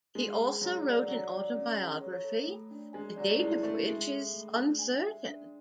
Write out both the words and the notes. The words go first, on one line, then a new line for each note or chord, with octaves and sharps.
He also wrote an autobiography, the date of which is uncertain.
G#3 G#4
A5
F#3 G#4
D5
F#3 F#5
D5
C#4
G#4
C#5
A4
A3
D4
G#3 G#5
F#3 D5
A3
G#3 E4
A3 G#4
G#3 E5
A4
A3
D4
G#5
E5
D4